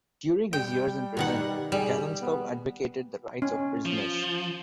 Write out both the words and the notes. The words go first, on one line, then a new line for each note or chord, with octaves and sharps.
During his years in prison, Galanskov advocated the rights of prisoners.
G3 G5
B2 D#3 F#5
G3 G#4
B3
C#4
F3